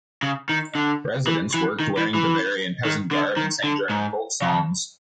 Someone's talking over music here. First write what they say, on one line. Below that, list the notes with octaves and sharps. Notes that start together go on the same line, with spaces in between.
Residents worked wearing Bavarian peasant garb and sang German folk songs.
C#3
D#3
D3
E3
E3
D#3
E3
E3
D#3
D3
D#3
D3
G#2
F2